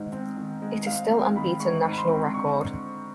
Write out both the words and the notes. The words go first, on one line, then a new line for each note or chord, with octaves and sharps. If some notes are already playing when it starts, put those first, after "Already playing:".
It is still unbeaten national record.
Already playing: G#2 D#3 G#3
C4
D#3
G#3
G#2 F5
C4
D#3 B5
G#3 C#6
G#2
B5
C6
C4
D3 C#6